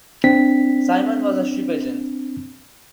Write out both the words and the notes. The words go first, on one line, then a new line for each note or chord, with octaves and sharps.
Simon was a ship agent.
C4 D4 B6